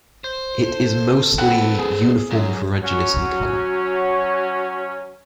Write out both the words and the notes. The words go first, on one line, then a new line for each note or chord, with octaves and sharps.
It is mostly uniform ferruginous in color.
C5
A4
C4 B4 F#5 G5
G#4
F#2 C#4
F#3 C#4